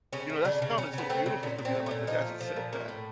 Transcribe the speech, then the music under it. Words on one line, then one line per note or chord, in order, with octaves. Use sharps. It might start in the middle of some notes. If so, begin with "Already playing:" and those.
You know, that sounded so beautiful to me that Michael Jackson said that.
C#3 C#4
A3
C#3 D4
C#3
C#3 C#4
C#3 B3
A3 C4
C#3
A#2 C#4
A#2
C4
A3
C#4
A#2
F3 D#4
A3
F3
A#2
A3 A#3
A2